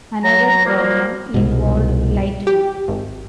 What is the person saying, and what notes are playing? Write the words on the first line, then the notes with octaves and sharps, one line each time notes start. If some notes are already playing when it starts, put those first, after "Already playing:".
Another problem involved lighting.
F#3 A#5
F3 G3 A#3
C2 G#2 B2
G4
G#1